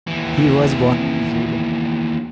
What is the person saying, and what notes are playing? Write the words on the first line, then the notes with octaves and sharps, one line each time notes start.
He was born in Zuilen.
D#2 E3